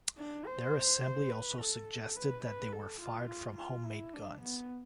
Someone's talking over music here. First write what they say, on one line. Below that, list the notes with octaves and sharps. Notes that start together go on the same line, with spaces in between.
Their assembly also suggested that they were fired from home-made guns.
D4
C5
B4
A4
B4
B4
A4
F4
F4
F4
E4
D4
B3